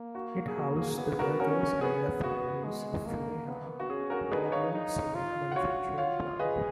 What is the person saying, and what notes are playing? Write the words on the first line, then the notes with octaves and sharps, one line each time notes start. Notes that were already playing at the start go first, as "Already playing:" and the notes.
It housed the workers and their families of Lehigh, a Portland cement manufacturing plant.
Already playing: A#3
F#4
G#4
F#4
G#4
B3 G#4
F#4 A#4
C#4 F#4 A#4
B3 G#4
B3 F#4
G#3
A#3
B3
F#4
C#4 G#4
F#4 A#4
D#4 G#4 B4
C#5 F5
D#4
F4
F#5
F#4 C#5 F5
F4 C#5 F5
G#4 B4 D#5